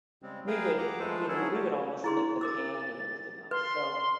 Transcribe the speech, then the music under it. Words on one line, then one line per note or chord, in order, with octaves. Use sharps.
we would, you know we would almost lick the pan and everything else, so
C#3 G3 G#3 C4
G#4 A#4 B4 F5 G5
F2 G#4 F#5 A#5 D6
F3 G#3 A3 A4 B4 C5
D#3 F#3 C#4 E4 G#4 A4
F#4 G4
E4 G#4 C6
A#4 D6 E6 A6
B4 C6